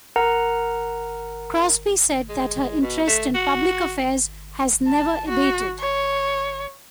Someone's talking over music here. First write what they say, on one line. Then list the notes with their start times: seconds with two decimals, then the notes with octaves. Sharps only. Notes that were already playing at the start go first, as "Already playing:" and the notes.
Crosby said that her interest in public affairs has never abated.
0.16 A#4 F#5 A#5
2.29 G#3
2.82 B2
3.07 A3
3.35 F#4
4.87 A5
5.28 F#4
5.80 C#5